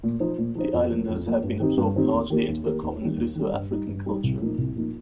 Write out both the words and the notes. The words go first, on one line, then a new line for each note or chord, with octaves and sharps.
The islanders have been absorbed largely into a common Luso-African culture.
A#2
F3 D#4 C5
A#2
F3 D#4 C5
F2
F3 A#3
F2
F3 A#3
G2
D#3 C4 D#4 G4
G2
D#3 C4 D#4 G4
D#2
D#3 A#3 G4 A#4
D#2
D#3 A#3 G4 A#4
D#2
D#3 G3
D#2
D#3 G3
G2
G3 D#4
G2
G3 D#4
C2
A#2 F3 A#3 D#4
C2
A#2 F3 A#3 D#4